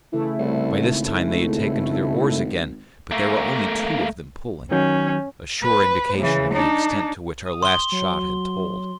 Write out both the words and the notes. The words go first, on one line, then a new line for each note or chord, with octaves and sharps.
By this time they had taken to their oars again, but there were only two of them pulling: a sure indication of the extent to which our last shot had told.
C#3 E3 A3 E4
C2
G#1
A3 A#3
D#3 F#3 C#4 G6
B4
C#3 E3
D4 D#4
D#6
C6 G7
F#3